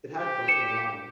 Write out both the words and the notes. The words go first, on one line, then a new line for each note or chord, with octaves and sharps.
It had crossed my mind.
G4
C#7 E7